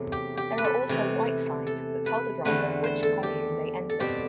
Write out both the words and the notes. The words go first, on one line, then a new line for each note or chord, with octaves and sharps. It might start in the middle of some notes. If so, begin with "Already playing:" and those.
There are also white signs that tell the driver which commune they entered.
Already playing: E2 C3 F#3 A3
G4
G4
B4
A4
C3 E3 A3
A4
B4
E2 D3 A3 C4 B4
C5
A4
G4
A4
B2 G3 C4 G4